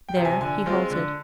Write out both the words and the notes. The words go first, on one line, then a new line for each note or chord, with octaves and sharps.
There he halted.
G5
C3 F3
G#5
D3 G#5
G#3 C4 F4
D3